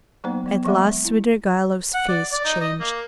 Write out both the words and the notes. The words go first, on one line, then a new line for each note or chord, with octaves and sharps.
At last Svidrigailov's face changed.
F#3 A#3 B3 D#4 C5
F#3 B3
F3 F#3 G#3 A#3
E4
F#5
D5
D5
D#4
D#5
A#3